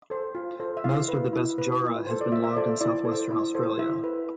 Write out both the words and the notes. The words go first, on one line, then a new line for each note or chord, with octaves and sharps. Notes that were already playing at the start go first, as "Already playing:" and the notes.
Most of the best jarrah has been logged in southwestern Australia.
A4 C5
F4
A4 C5
E5
E4 F5
B4
E4
B4
F4
A4 C5
D5
F4 E5
E5
A4 C5 D5
E4 D5
A4 C5
E4
A4 C5
E4 E5
B4